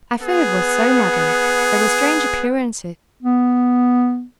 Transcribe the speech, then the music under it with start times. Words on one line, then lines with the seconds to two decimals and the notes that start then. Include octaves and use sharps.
'I fear it was so, madam, there were strange appearances.
0.23 B3 G#4
3.22 B3